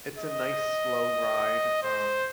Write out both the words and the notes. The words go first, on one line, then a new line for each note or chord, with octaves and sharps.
it's a nice slow ride, um,
D#5
C5